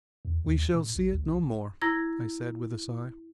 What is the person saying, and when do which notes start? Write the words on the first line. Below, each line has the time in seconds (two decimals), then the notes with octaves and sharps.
"We shall see it no more," I said, with a sigh.
0.25 E2
0.45 D#2
0.74 A2
0.96 A1
1.12 D2
1.24 B1
1.82 E4 A#5 G#6 A#6